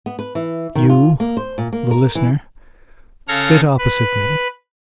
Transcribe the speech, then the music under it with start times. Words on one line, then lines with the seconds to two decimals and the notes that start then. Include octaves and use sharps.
You, the listener, sit opposite me.
0.06 B3
0.19 B4
0.35 E3
0.75 D#3
0.89 F4
1.20 A#3
1.37 C5
1.58 A#2
1.73 A#3
1.91 A#4
2.15 E3
3.28 C#3 A4 C#5 F5 F6 A#6
3.78 B4